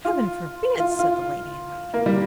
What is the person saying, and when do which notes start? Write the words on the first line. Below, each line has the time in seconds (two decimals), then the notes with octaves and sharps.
'Heaven forbid!' said the lady-in-waiting.
0.05 F4
0.80 F4
0.99 F4
1.94 A#3
2.06 G3